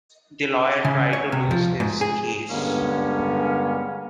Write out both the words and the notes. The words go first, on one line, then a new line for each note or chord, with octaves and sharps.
The lawyer tried to lose his case.
C#3
C#5
C3
F3
G#2
G#4
G2 D3 G#3 A#3 B3 C#4